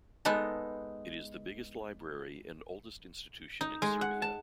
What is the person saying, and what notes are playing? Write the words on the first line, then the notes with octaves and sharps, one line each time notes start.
It is the biggest library, and oldest institution in Serbia.
G#3 B3 D#4 A4
D#4
G#3
F#5
A5